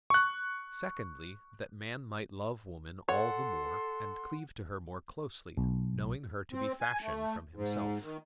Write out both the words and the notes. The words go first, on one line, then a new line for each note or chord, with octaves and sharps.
Secondly, that man might love woman all the more, and cleave to her more closely, knowing her to be fashioned from himself.
C#6 F#6
A4 C#5 F#5 C6
B1
C4
G#5
A3
G#2
D#3